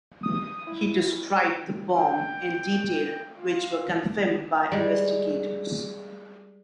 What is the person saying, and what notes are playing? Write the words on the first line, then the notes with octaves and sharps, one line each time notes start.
He described the bomb in detail, which were confirmed by investigators.
D#6
E4
G5
G5
F4
G3 G#3